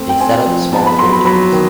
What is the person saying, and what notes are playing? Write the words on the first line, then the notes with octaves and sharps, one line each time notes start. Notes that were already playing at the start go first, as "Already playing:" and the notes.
They set up smallholdings.
Already playing: A3 C4
G5
C4 G#5
F3
B3 A5
B5
F#3 C6
B5
F#3 B5
D#3